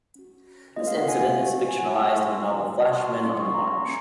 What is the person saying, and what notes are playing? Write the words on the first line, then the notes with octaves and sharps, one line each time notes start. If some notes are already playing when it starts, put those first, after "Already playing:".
This incident is fictionalized in the novel "Flashman on the March".
C#4 F#4
A#3 C#4 F4 G#4 D#5
F5
F#5
G#5
C4 F#4
G#5
F#5
G#5
C#4 F4 G#4 C#6
C6
A#3 C#4 F#4
C#6
C6
C#6
A#3 C#4 G#4 C6
C#6
C6
A#5
A#3 C#4